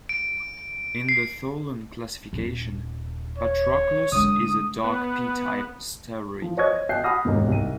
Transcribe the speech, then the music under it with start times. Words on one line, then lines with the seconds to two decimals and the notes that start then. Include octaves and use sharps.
In the Tholen classification, "Patroclus" is a dark P-type asteroid.
0.09 D7
1.09 C7
2.33 D#1
3.38 C#5
4.12 D3 G#3 D#6
4.84 B3
6.42 F3
6.57 C5 C#5 D#5 C#6 G#6
6.89 D#5 E5 G5 F#6 G6 C7
7.04 F#5 B5 D#6 F6 A#6
7.25 E1 D#2 G#2
7.48 C2 D#4 D#7